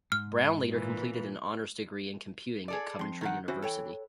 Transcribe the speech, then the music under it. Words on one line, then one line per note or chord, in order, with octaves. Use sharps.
Brown later completed an honours degree in computing at Coventry University.
G#2 F6
A#2 E3
G#4 A4 D5
F2 C6
D#3 A#4 F#5
E3 C#4 F#4 C5
A4 C#5 G5